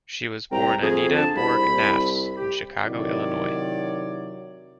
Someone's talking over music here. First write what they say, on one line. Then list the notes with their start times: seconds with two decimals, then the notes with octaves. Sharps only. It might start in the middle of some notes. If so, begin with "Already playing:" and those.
She was born Anita Borg Naffz in Chicago, Illinois.
0.51 C2 G5 A#5
0.82 F2 G#4
1.14 D4 A5
1.35 C2 E4 C5 B5
2.35 G4
2.82 C3 D#3 F#3 E4 C#5 D5